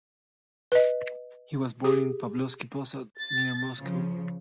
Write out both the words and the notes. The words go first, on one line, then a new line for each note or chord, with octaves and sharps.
He was born in Pavlovsky Posad near Moscow.
B4 D#5
G4 G#4
A6
C#3 F3